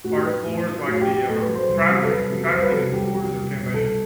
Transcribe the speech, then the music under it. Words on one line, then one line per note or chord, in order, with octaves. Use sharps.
Are explorers like the, um, traveling traveling explorers or can they
A2 F#4
G4
F#3 B4
A2
F#3
A2 F#4
G4
F#3
G4
A2 A4
B4
F#3
C5
C2
C3 F#3
A4
C2 B4
C3 F#3
C2 C5
B4
C3 F#3 A4
C2 G4
C3 F#3
C2
B2 G3
C2 A4